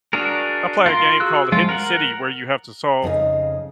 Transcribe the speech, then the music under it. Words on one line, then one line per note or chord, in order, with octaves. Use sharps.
I play a game called The Hidden City where you have to solve
D4 F#4 G#4 A#4
F4 A#4 C6
F#4 G#4 E6 F#6
F3 G#3 F4
A#4 F#5
F2 C#3 D#4 D#5